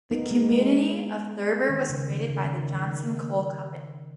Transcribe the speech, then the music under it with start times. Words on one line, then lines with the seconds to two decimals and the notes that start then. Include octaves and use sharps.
The community of Thurber was created by the Johnson Coal Company.
0.11 B3 D#4
0.31 G#3 B3
0.51 G#3
1.69 D#3
1.90 C#3
2.10 D#3
2.30 C#3
2.45 D#3
2.59 C#3
2.74 D#3
2.84 D#3